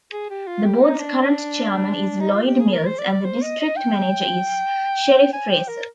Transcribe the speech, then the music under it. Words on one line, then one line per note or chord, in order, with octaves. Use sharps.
The Board's current Chairman is Lloyd Mills, and the District Manager is Sherif Fraser.
G#4
G4
F4
G4
D#4
D4
D#4
F4
G4
G#4
A#4
C5
D5
D5
C5
D#5
D#5
G5
G#5
G5
A#4